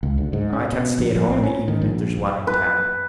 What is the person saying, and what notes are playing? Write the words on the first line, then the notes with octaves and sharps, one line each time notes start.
I can't stay at home in the evening if there's one in town.
C#2
D2
G#2
C#4
B2
A#1
A#1
C4
C#4
D#3
A#1
B4